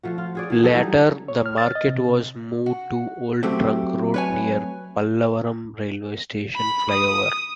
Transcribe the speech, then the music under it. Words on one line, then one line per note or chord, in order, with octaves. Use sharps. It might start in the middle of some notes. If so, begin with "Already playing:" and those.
Later the market was moved to Old Trunk Road near Pallavaram Railway Station Flyover.
F3 A3 F#4
F4
F#4 G#4 D5
E3 A3 G#4
F#3 G3 A4
E3 F#3 G3 D#4
C#5
F6
A6
D#5
C3
F#4
F#3 A3 C4 G4
B4 C#5 G#5
B5
D#6